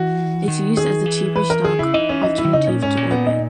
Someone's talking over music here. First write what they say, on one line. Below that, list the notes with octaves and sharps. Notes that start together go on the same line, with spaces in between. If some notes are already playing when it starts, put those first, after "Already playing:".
It's used as the cheaper stock alternative to Orbit.
Already playing: E3 F#4
D#3
G#4
E3
B4
A#4
D#3 G#4
C#3 E4
E3 D#4
C#4
D#4
E4
D#3
C#3 D#4
A#2 C#4
G#2 C#4
A#2
B3
D#4